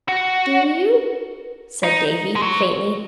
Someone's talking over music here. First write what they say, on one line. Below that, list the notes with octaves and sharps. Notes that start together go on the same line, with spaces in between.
"Do you?" said Davy, faintly.
F#4
D#4
G#3
F#3